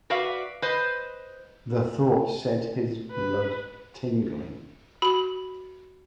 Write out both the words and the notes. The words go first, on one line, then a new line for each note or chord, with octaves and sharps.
The thought set his blood tingling.
F#4 B4 D5 E5 F5
B4 C5 D#5
B4
F#4 B5 F#7